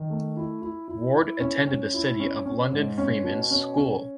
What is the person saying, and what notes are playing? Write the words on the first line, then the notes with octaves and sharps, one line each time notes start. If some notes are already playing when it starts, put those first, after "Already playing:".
Ward attended the City of London Freemen's School.
Already playing: D#3
A3
E4
E4
E4
E4
C#4
C#4
E4
C#4
C#4
G#2
C#4
B2
C#4
C#4